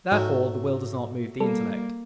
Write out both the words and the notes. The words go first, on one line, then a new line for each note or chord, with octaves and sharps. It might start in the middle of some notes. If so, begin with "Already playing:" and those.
Therefore the will does not move the intellect.
G#2 F#3 A3
G3 A#3 A4